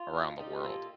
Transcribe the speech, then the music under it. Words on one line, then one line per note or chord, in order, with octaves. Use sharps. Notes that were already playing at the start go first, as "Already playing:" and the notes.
around the world.
Already playing: F4
D#4
G3 D#4 G4
A#3 F4 A4